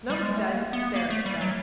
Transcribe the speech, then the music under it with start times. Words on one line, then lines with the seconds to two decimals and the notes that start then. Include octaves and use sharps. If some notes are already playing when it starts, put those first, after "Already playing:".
Nobody dies of hysterics, though.
0.10 G3
0.23 G#3
0.37 A3
0.50 A#3
0.73 B3
0.96 A#3
1.10 A3
1.26 G3
1.41 F#3